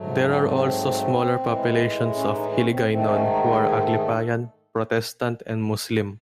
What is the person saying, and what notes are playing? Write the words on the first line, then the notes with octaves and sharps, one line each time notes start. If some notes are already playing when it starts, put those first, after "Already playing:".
There are also smaller populations of Hiligaynon who are Aglipayan, Protestant, and Muslim.
Already playing: G#2 F#3 A3
C4
C4
C4
A2 E3 G#3
C#4
D#4
C#4
C4
G#2 D#3 A3 C4
C#4
D#4
E4
G#4
C5
A4
G#4
A4